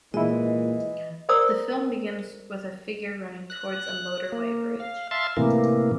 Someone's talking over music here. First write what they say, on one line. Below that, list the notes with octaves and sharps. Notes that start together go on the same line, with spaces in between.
The film begins with a figure running towards a motorway bridge.
A#2 E3 G#3 E4 D#5
A#4 C5 D5 A#5 D#6 E6
F#6
A#3
F5
E5 F5 A5 C6
A2 C3 E3 A#3